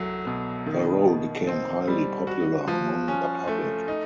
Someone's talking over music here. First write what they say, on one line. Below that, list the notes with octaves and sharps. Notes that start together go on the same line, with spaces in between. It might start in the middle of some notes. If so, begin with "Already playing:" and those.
Her role became highly popular among the public.
Already playing: C2 F#3 A3
B2
D#3
D#3
C4
G3
F#4
F3
C#4
A3
D#4